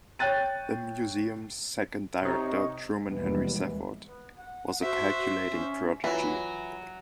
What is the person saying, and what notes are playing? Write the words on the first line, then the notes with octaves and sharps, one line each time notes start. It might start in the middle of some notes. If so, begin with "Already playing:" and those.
The museum's second director, Truman Henry Safford, was a calculating prodigy.
C#5 G5 F#6 A6 D#7
C3 D#4 C#5
D#2 B2 E3 G3 G#3 B3
B3
F#5
F#4 C5 E5
C#4
E3 F#3 E4 F4 B4 E5